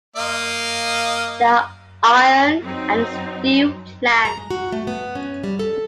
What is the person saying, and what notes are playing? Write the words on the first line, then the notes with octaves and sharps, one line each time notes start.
There are iron and steel plants.
A#3 D#5 F5
F#3 C4 D#4
A#5
G#3
F#4
A3
B3
C#4
G3
A4